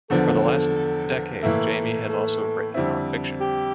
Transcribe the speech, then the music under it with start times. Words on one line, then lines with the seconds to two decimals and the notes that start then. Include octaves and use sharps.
For the last decade Jamie has also written non-fiction.
0.10 E2 D3 F3 A4
1.42 A2 E3 A#3 E4 A4
2.09 A4
2.74 F2 D3 G3 C4 E4
3.41 G4